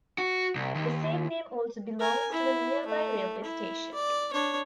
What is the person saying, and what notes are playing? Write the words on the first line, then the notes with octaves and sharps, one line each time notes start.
The same name also belongs to a nearby railway station.
F#4
C2
D#2
A#4 G#5
E4
A3
E4
D5
D4 C#5